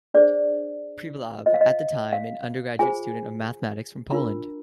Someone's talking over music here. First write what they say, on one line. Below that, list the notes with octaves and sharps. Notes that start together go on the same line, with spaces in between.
"Privalov", at that time, an undergraduate student of mathematics from Poland.
D4 G#4 C5 D5
F4 C5 D#5
F5
D#5
F5
F4 G#4 C5 G#5
D4 F4 A#4 A#5